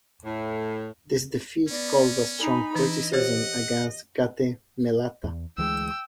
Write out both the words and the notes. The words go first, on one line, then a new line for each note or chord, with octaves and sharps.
This defeat caused a strong criticism against Gattamelata.
A2
B3 C#4 D5
D#4 G#5 B5
E3 D4 E4 D#5
G4 C5 C#5 F#5
E2
D2 E3 G#3 G5 E6